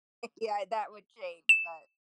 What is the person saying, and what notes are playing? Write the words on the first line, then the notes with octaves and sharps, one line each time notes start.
yeah, that would change, but
E7